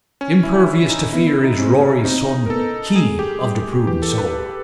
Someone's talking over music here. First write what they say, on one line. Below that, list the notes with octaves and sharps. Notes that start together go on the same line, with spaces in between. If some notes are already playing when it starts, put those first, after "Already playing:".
Impervious to fear is Rory's son: he of the prudent soul.
C#4
E4
E4
D#4
B3 E4
E4
D#4
C4 C#4
C#4
C4 D#4
A#4
B3 A4
G#3 G#4
G4
G3
E3 G4
A4
B4